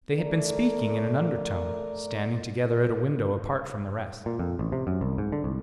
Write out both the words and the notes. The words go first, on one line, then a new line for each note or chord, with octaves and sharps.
They had been speaking in an undertone, standing together at a window, apart from the rest.
A3 A#4 D5
A#2
F2
A1
C3
F#2
C2
G#2
D3
C2